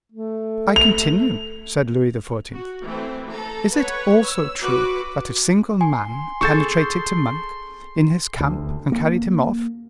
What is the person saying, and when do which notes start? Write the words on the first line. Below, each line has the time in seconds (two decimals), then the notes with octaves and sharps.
"I continue," said Louis XIV.: "Is it also true that a single man penetrated to Monk, in his camp, and carried him off?"
0.12 A3
0.76 F7
2.52 F#4
2.83 E3 A3 C4
3.30 A3 A4 A#5
3.73 B4 C#5 F#5
4.24 E6
4.61 F#4 B4 D6
5.81 G#5 C6
6.41 G#4 A4 C#6 G6 A6
8.40 D2
8.92 A#3